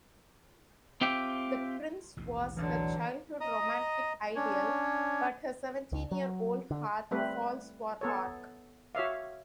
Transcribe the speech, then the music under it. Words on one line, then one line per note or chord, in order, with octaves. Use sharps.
The prince was her childhood romantic ideal, but her seventeen-year-old heart falls for Arc.
C4 F4 G4 E5 G5
A1 D#2 B2
D3 E3 F#3 D4
D#5 A#5 D#6
C#4 D4 C#5
C#2
F#3
D3
G3 A3 C4 B4
B3 A4 C#5
F#4 C#5 E5 F5